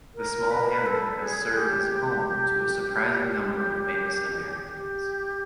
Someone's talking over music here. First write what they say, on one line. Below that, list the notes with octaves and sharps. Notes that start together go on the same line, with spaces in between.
The small hamlet has served as home to a surprising number of famous Americans.
A#4
B4
A#4
B4
A4
G#4
G4
G4
G4
G#4
G4
G4